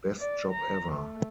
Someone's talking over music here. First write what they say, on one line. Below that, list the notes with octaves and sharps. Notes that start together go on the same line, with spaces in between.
Best job ever!
D5
A#5
A3